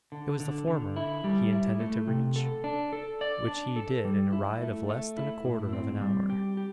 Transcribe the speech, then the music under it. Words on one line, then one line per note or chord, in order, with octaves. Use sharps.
It was the former he intended to reach--which he did in a ride of less than a quarter of an hour.
D3
D3
D3
E4
G3
E4
A3
C3
A4
D4
A4
D5
D4
A4
G3
E4
A3
A3
E4
A2
C4
G3
G4
G4